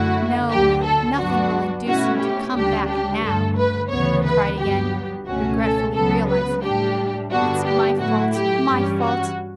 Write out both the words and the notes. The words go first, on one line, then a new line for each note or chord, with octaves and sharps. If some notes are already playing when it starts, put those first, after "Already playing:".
No, nothing will induce him to come back now!" he cried again, regretfully realizing it; "but it's my fault, my fault.
Already playing: F#2 D3 A3 E4 F#4
D2 D3 F#3 G4
A4
G2 F#3 B3 D4 F#4
B2 A3 C#4 E4 F#4
G4
D2 C#3 G3 D4 G4
G4
G2 D3 A3 A4
B4
D2 C#3 E3 B3 C#5
B4
G2 F#3 B3 G4
C#2 B2 A3 C#4 F#4
A4
C#2 C#3 F#3 B3 A4
B4
A2 G3 D4 G4
G2 D3 G3 B3 D4 F#4
G4
A2 F#3 A3 E4 F#4
G4
G2 E3 G3 C#4
F#4